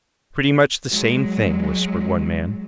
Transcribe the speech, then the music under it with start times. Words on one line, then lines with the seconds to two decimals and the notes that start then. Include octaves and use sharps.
"Pretty much the same thing," whispered one man.
0.88 F#3 G#3